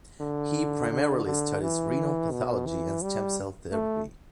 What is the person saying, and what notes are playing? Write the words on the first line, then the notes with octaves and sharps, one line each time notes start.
He primarily studies renal pathology and stem cell therapy.
D3
D3
D3
E3
B2
E3
G3
A3